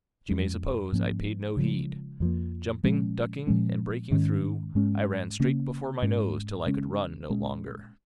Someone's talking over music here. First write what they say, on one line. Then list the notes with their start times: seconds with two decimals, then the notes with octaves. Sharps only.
But you may suppose I paid no heed; jumping, ducking, and breaking through, I ran straight before my nose till I could run no longer.
0.29 F2 F3 G#3 C#4
0.92 G#2 F3 A#3 C#4
1.57 C#3 F3 G#3
2.20 F2 F3 A#3
2.84 A#2 F3 G#3 C#4
3.47 A#2 F3 G#3 C#4
4.11 G#2 D#3 G#3 C#4
4.75 G#2 G#3 C#4
5.40 C#3 A#3 C#4
6.02 G#2 G#3 C#4
6.66 C#3 G#3 C#4
7.30 A#2 G#3 C#4